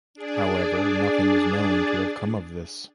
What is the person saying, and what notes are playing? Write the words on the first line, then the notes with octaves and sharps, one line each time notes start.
However, nothing is known to have come of this.
D4 G#4 D5